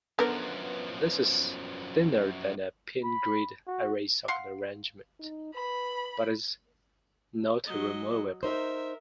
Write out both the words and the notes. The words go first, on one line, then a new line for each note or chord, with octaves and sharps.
This is thinner than a pin grid array socket arrangement, but is not removable.
F#2 D3 F3 B3 A#4
B5
F#4
F5 F#5 C6
D#4
B4 B5
F#3 D#5
D#4 A#4 C5 E5